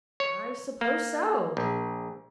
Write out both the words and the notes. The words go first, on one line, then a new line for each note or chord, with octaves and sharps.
'I suppose so.
C#5
A#3
A#1